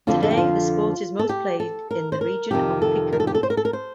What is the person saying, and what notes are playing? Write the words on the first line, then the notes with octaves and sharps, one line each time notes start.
Today, the sport is most played in the region of Picardy.
F2 D3 F3 F4
A4
G4
F4
A4
G4
A4
A#4
C5
A#4
F2 C3 D#3 G4
A4
A#4
A4
G4
A4
C5
A#4
A4
A#4
C5